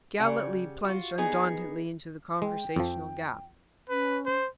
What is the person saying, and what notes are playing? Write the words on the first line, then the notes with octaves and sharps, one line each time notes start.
Galletly plunged undauntedly into the conversational gap.
C#3 G3 F#5
F4 F#4
B3 D#4 G#4
G#3 G5
F2 F3
C#4 B4
C5